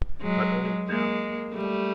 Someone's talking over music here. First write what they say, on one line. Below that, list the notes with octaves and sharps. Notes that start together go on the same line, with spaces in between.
But old now.
F#3 G#3
G#3 A#3
G3 A3